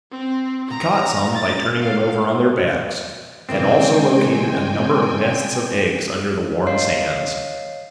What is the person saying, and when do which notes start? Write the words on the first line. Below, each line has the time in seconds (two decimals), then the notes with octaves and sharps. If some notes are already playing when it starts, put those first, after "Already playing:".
He caught some, by turning them over on their backs, and also located a number of nests of eggs under the warm sands.
0.12 C4
0.70 A#5
1.35 A6
1.81 F5
3.49 A#2 C#3 E3 G#3 C4 G5 G#5
6.66 C#5 D#5 F5 G6 C7